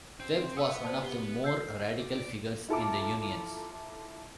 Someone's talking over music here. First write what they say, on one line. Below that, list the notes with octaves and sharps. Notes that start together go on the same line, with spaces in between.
Webb was one of the more radical figures in the unions.
C4
B4 F#5 D#6 E6
C5 D5 A5
G4 G7
E6 G6 C7
D5
E4 F4 A4 A5 A#5 D6